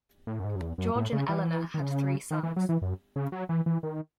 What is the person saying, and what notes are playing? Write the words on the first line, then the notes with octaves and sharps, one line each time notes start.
George and Eleanor had three sons.
A2
F#2
G#2
F#2
E2
F#2
A2
C#3
E3
D#3
C#3
D#3
E3
F#3
E3
F#2
C#3
F#3
E3
E3
D#3